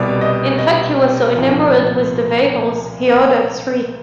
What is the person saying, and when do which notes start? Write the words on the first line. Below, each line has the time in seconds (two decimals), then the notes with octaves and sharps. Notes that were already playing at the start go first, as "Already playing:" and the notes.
In fact, he was so enamoured with the vehicles, he ordered three.
Already playing: C2 B2 G3 D5
0.21 D#5
0.58 D#5
1.35 C2 A#2 F3